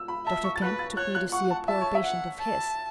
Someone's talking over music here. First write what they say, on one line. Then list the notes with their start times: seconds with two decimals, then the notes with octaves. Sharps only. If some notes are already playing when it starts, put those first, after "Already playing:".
"Dr. Kemp took me to see a poor patient of his."
Already playing: E6
0.08 B5
0.26 E5 A5
0.44 C#6
0.56 A6
0.62 B4 F#6
0.79 A6
0.96 C#5 F#6
1.15 F#6
1.32 F#5 C#6
1.51 A5
1.68 E5 A5
1.81 C#5
1.95 E5
2.03 F#5
2.39 A5